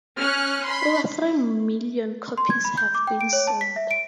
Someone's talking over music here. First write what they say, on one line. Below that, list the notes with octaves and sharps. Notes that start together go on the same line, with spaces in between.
Over three million copies have been sold.
C#4 F6 F#6
B5 C6
C6
G#6
B5
G6
D6
G5
D7
C#5
A5
B6
E5
D7